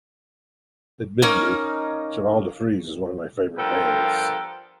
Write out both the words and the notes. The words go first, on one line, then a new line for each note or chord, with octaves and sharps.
Admittedly, Cheval de Frise is one of my favorite bands.
A#3 C#4 D#4
G2 F3 B3 A4 A#4 G5